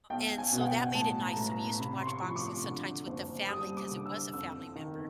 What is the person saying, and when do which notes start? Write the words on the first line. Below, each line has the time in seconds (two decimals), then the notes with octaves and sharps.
and so that made it nice, so we used to watch boxing sometimes with the family 'cause it was a family member
0.10 B1 G5
0.38 G#5
0.53 B2
0.61 F#5
0.67 G5
0.95 A2 A5
1.23 A#5
1.37 A2
1.51 A#5
1.79 C3 B5
2.01 C6
2.07 C#6
2.22 F3
2.31 C#6
2.36 D6
2.64 D3
3.07 F#1
3.49 G3 D#6
3.77 D6
3.91 D3
4.06 E6
4.34 F2 E6
4.76 D#3